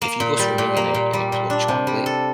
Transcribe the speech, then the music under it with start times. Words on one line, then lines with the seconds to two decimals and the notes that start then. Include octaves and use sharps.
if you go swimming in a in a pool of chocolate,
0.02 A#3
0.20 A#2
0.39 G3
0.58 A#2
0.77 A#3
0.94 A#2
1.13 G3
1.32 A#2
1.50 D4
1.68 C3
1.87 G3
2.06 A4